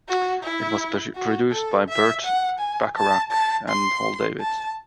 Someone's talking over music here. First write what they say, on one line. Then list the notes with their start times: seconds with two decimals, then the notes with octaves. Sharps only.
It was produced by Burt Bacharach and Hal David.
0.08 F#4
0.44 E4
1.15 F#4
1.51 A4
1.88 E5
2.24 F#5
2.59 G#5
2.96 A5
3.31 A5
3.68 C6
4.40 A5